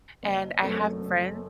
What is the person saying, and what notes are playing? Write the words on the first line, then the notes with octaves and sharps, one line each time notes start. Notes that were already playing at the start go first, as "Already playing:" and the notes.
and I have friends
F#1
F#2 F#3 A3 C4
F#1